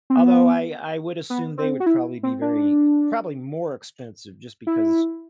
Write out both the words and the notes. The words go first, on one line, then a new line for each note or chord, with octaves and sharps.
Although, I I would assume they would probably be very probably more expensive just because
C4
B3
B3
C4
F#4
E4
C4
D4
E4